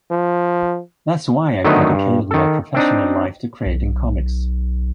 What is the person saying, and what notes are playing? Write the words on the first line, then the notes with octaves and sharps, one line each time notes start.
That's why I've dedicated my professional life to creating comics.
F3
D3 D#3 F#3 A3 B3 D#4
G2
D#3 A4
C4 D4 D#4
B1